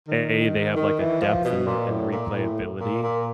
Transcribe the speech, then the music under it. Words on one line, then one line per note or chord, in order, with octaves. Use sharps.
A, they have like a depth and and replayability,
D#3
D#3
E3
F3
B2
A#2
A2
A#2
A2
A#2
A#2